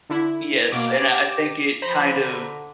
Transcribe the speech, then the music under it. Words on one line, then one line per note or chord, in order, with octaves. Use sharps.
yes, and I, uh, think it kind of,
D3 E4
B2 A#3 D6
G4 D6 E7
F3 C5 A#5 B5
D3